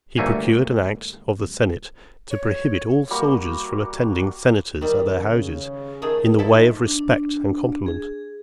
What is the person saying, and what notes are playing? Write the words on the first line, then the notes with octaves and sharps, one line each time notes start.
He procured an act of the senate to prohibit all soldiers from attending senators at their houses, in the way of respect and compliment.
G1 D2 A3 A#3 G#5
C#5
G3 A#3 F#4
D#3 G3
C#3
D#3 A3 G#4
F3 A3 D#4 E4 A4
D4
G#4